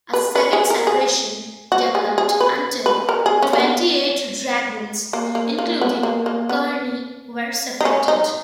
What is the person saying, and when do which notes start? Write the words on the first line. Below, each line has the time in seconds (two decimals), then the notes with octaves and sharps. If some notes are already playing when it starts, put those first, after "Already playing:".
A second separation developed until twenty-eight dragoons, including Kearny, were separated.
0.14 B4
0.35 B4
0.53 G#4
0.70 A#4
0.87 G#4
1.72 F#4
1.95 G#4
2.18 G#4
2.41 B4
2.86 B4
3.09 A#4
3.26 G#4
3.42 C#4
3.53 A#3
3.60 B3
5.13 A#3
5.35 A#3
5.59 A#3
5.81 B3
6.03 A#3
6.26 A#3
6.49 B3
7.81 D#4
7.85 C#4
8.08 D#4